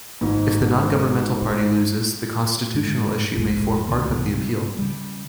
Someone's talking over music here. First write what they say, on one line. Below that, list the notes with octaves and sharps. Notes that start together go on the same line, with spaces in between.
If the non-governmental party loses, the constitutional issue may form part of the appeal.
G#1 G#2
G#2
F1 A#1 G#3
C2 D3 A3
C2 B2 E3
C3 G3
C#3 G3